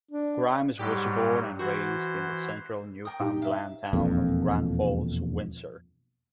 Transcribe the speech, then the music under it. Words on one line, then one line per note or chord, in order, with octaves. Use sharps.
Grimes was born and raised in the central Newfoundland town of Grand Falls-Windsor.
D4
G#2 F#3 G3 G4
E3 F#4 C5
A#4 G5 D#6
A#2 D#4 G4
E5 F5
E1 A#1 F2